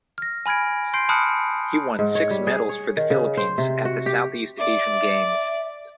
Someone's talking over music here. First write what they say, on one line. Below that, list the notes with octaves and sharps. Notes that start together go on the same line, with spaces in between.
He won six medals for the Philippines at the Southeast Asian Games.
F6 A#6
G#5 B5 F6 G#6 D7
C6 G6 C7 D7
A5 B5 D#6 F6 F#6 C#7
G#2
C#5
G3
G#4
C#5
D#3
C#3
C5
C3
F#4
G4
D5 E5